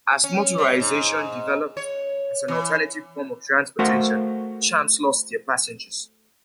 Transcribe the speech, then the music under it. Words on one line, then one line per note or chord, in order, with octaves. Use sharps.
As motorization developed as an alternative form of transportation, trams lost their passengers.
C#4
G3
G#2
C#5
E3
A3 F#4 A#4 C5 F5 F#5